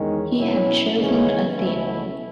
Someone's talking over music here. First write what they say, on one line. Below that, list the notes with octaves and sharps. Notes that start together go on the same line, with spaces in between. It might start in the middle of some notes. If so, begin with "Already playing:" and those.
He had chosen Athena.
Already playing: E2 D#3 G#3 C#4
B2 F#3 C#4 E4
D#2 C#3 E3 G#3 C#4
C#2 B2 A3 C#4 E4